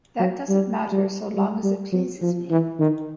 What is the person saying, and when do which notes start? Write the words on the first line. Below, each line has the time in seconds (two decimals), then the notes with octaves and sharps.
That doesn’t matter, so long as it pleases me.
0.20 F#3
0.49 G3
0.92 G3
1.35 G3
1.64 G3
1.93 F#3
2.22 F3
2.51 E3
2.80 D#3